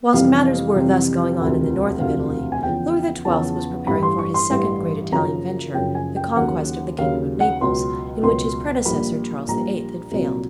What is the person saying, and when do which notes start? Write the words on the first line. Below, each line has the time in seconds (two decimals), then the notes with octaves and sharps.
Whilst matters were thus going on in the north of Italy, Louis XII. was preparing for his second great Italian venture, the conquest of the kingdom of Naples, in which his predecessor Charles VIII. had failed.
0.13 F2 C3 E3 G3 F5
0.75 F2 C3 E3 G3
1.38 E1 D2 C3 F3
2.00 E1 D2 C3 F3 F5
2.52 G#5
2.63 E2 C#3 F3 G5
3.25 E2 C#3 F3 A5
3.87 A1 G2 E3 G3 B5
4.03 C6
4.19 C#6
4.34 C6
4.50 A1 G2 E3 G3
5.12 F#1 F#2 C#3 F3 A#5
5.74 F#1 F#2 C#3 F3 G5
5.95 G#5
6.16 G5
6.36 D#2 C#3 F#3 F#5
6.98 D#2 C#3 F#3 F5
7.40 F#5
7.61 C#2 B2 F#3 C6
8.23 C#2 B2 F#3 C6
8.86 A#1 A#2 G3 B5
9.48 A#1 A#2 G3 A#5
10.11 C2 A#2 F#3